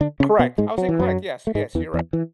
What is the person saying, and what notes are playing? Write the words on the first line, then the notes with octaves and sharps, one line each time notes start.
Correct. I would say correct. Yes. Yes. You're right.
D3 D4
C#3 C#4
B2 B3
G#2 G#3
F#3
E3
F#2 F#3
A3
G#2 G#3
E2 E3
E2 E3
E3